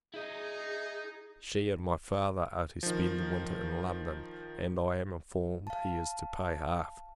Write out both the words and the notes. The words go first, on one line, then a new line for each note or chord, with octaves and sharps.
She, and my Father, are to spend the winter in London; and, I am informed, he is to pay half.
D#4 E4 G#4 D#5
D#3 F3
F5 A5